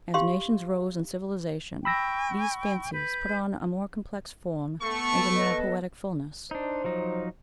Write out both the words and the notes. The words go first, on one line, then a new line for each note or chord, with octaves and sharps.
As nations rose in civilization these fancies put on a more complex form and a more poetic fulness.
G4 F5 C6
G5 B5 C#6 E6 A#6
B4 G6
A3 B3 A4 C#6
B4 D#5
D4 D#4 C5
F3 F#3 D#4